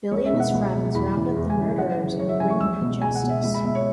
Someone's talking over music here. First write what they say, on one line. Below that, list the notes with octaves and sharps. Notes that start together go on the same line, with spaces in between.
Billy and his friends round up the murderers and bring them to justice.
C#2 C#5
E5
B2
F#5
C#2
B2
E2 B5
C#3 E3
E2
G#5
C#3 E3
F#2 F#5
C#3 E3
F#2 C#5
E5
C#3 E3 G#5
C#6
C#2 E6
B2
C#2 G#5
F#5
B2
E5
C#2 E5
B5
B2 E5
C#5